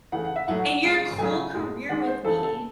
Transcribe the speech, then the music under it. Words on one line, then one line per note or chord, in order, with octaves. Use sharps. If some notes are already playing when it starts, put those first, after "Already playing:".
and your cool career with me.
C#3 E3 A3 F#5
F#5
E5
A2 F#3 A3 F#5
C#3 G#3
C#3 F#3 A3 G#5
A2 G#3
D#3 G#3 F#5
C5
C#3 E3 A3 A4
A4